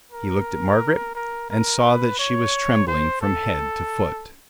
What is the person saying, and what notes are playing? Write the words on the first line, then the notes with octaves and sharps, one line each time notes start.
He looked at Margaret and saw that she was trembling from head to foot.
A#4
A#4
A#4
B4
C#5
C5
A4